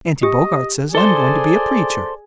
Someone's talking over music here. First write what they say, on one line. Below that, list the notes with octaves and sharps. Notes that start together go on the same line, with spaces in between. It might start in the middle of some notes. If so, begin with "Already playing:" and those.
Auntie Bogart says I'm going to be a preacher.
G4 D#5
G#4 A4 C5 D5